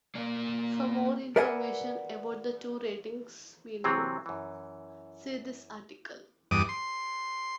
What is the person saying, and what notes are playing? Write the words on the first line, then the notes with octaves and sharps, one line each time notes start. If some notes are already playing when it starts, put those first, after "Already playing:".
For more information about the two ratings' meaning, see this article.
A#3 D5
A#4 B4 D5 E5 F#5 G#5
C3 E3 F#3 C4
F#2 E3
E2 G2 D6 D#6
C6